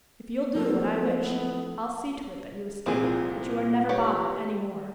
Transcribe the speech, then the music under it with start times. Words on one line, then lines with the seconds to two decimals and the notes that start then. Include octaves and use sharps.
"If you'll do what I wish, I'll see to it that you escape--that you are never bothered any more."
0.55 D1 F3 A#3 D4 A4 C5
1.21 B3
2.86 C2 A#2 F3 C4 G#4
3.89 G4 B4 C#5